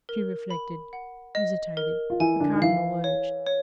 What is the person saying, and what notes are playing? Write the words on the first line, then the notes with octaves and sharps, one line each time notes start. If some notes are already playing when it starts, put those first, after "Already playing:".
She reflected--hesitated. The cardinal urged.
A#4
B5
F#5
D#5
A#4
F4
E3 E4 G#5
D3 D4
D#4
E3 E4 F5
C#5
C#5